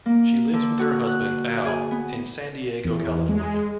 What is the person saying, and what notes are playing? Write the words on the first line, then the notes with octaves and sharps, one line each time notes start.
She lives with her husband, Al, in San Diego, California.
A#3
D3
F#4
F#6
G#4
B3
E2
G#3